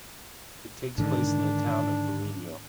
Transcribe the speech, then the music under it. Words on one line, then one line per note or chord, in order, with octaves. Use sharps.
It takes place in the town of Foligno.
G#2 D3 D#3 D4